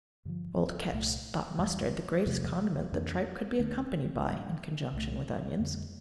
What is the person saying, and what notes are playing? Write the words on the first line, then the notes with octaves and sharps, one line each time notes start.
Old Ketch thought mustard the greatest condiment that tripe could be accompanied by, in conjunction with onions.
G2 D3 F3
C2 A#2 A3
E2 E3 G3
E2 C3 F3 A3
F2 E3 A#3 D4
D2 D3 A3 D4
A2 G3 A#3 D4
C2 A#2 A3
F2 D3 G3